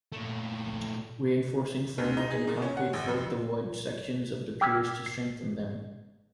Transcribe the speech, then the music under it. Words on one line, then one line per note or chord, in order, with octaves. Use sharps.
Reinforcing framework and concrete filled the void sections of the piers to strengthen them.
A#2 A3
D2
D#4
G#4
A#2
C#4
F#5
G#1
F2
G5 D6 E6 F6 G#6 B6
C7